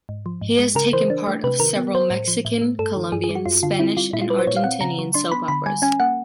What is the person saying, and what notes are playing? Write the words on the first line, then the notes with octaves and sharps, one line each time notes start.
He has taken part of several Mexican, Colombian, Spanish and Argentinian soap operas.
G#2
F3
G#2
G#3
C#3 A#4
E3 C5
D4
A3
C3 B4
D#3 A#4
B3
F#3 C5
A2
F3
A2
A3
G2 A4
D#3
G2 G#4
G#4
G3
F#4
F#2 F4
D3 F4
C4 E4
G3 F4
A#2 E4
F4
G3 B4
C5
A#2 C#5
F5
C4 F#5
C#3 A#5
F#3
D4 C6
B3 B5
D3 B5
G3 G#5
C#4 G#5
A#3 F#5